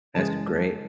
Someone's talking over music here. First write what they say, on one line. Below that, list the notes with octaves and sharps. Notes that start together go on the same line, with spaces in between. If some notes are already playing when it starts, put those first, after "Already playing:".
That's great.
F#2 C#3 E3 G#3 A5